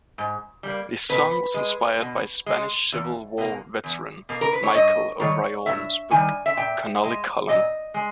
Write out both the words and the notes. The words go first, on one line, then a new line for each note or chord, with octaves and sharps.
The song was inspired by Spanish Civil War veteran Michael O'Riordan's book Connolly Column.
G#2
G3 A#3
B2 B4
G#3
B2
G#3
E2
B2 A#3
E2
B2 A#3
A#4
B4
C#5
G2 D#5
D#3 G3 C#5
G2 E5
D#3 G3 G#5
E5
A#2 G5
G#3
A#2 D#5
G#3